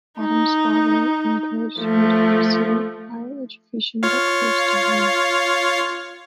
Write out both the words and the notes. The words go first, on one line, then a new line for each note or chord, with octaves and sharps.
Addams's father encouraged her to pursue higher education but close to home.
D#4
F3 A3
F4 C#5 F5